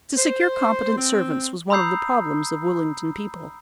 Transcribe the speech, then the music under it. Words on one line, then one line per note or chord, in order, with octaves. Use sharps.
To secure competent servants was one of the problems of Willington people.
C5
C4
A#5 B5 D#6 E6 G6 C7